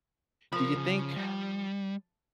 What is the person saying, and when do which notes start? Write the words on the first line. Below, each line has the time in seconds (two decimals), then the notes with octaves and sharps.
do you think, uh,
0.53 F3 A#4 B5
0.76 C#3
1.16 G3